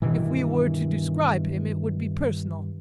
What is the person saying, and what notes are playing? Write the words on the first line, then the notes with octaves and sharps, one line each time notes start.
If we were to describe him it would be personal.
G2 B2 D#3 E3